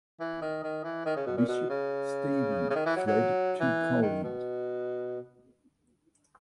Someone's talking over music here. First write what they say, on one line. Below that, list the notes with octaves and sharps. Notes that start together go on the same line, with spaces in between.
Bishop Stephen fled to Poland.
E3
D#3
D#3
E3
D#3
C#3
B2
A#2
B2
C#3
C#3
D#3
E3
F#3
F#3
E3
D#3
B2